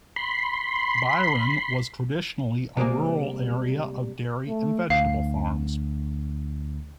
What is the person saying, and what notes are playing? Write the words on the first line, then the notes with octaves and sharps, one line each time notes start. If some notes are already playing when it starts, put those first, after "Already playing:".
Byron was traditionally a rural area of dairy and vegetable farms.
B5 C6
C3 G3 G#3 A#3
A3
D2 F5 C7